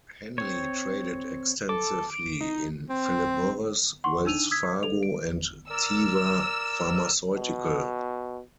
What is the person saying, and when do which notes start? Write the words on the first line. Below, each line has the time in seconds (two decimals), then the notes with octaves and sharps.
Henley traded extensively in Phillip Morris, Wells Fargo and Teva Pharmaceutical.
0.38 C4 C#5
1.69 A4 D6
2.10 D7
2.41 D#4
2.90 C4
4.04 F#5 C6 C#6
4.25 D4 D#4 E6 D#7 F7
4.51 D#6 E6 G#6 B6
4.83 A4 F7
5.03 D7
5.70 A#4 D5 E6
7.35 B2